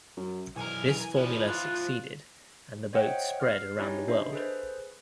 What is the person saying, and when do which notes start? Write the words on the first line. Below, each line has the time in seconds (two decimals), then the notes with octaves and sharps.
This formula succeeded, and the boat spread around the world.
0.17 F#2
0.56 B1 E3 A#4 G#5
1.16 F3 B4 D5
1.47 F4 F#6
2.93 C5 C#5 D#5 E5 F#5 G5
3.40 F6 C7
3.79 C#4 D#4 E4 G4 C#5
4.08 D4 D#5 E5 C7
4.33 G#4 A4 B4 C5